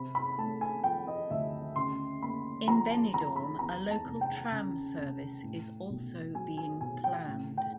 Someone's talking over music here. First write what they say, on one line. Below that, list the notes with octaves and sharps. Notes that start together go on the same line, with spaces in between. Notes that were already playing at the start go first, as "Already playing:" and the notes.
In Benidorm, a local tram service is also being planned.
Already playing: C3 B5
B5
A3 A5
G#5
F3 G5
D#5
D2 E5
C#3 C6
A#3 B5
F3 A#5
A5
F2 A#5
B5
E2 A#5
A5
F1
G5
C#3
F1
A2
B1
F#3 G#5
G#5
B1 G#5
G5
A2
G5